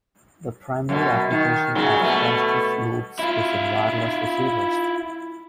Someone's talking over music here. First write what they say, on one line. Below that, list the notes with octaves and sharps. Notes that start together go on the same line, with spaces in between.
The primary application of Costas loops is in wireless receivers.
F#2 B2
D#3
A#2 C#3 F#3
B2 A3 B3
E4 F4